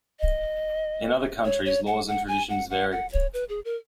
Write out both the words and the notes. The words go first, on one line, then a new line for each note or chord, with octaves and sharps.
In other countries, laws and traditions vary.
D#5
C#5
C#5
F#5
F#5
G#5
F#5
F#5
F#5
C#5
B4
G#4
A#4